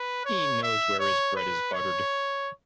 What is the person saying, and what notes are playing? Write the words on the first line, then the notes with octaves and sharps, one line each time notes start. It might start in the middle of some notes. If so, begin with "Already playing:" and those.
He knows where his bread is buttered.
Already playing: B4
C#5
E5
C#5
B4
C#5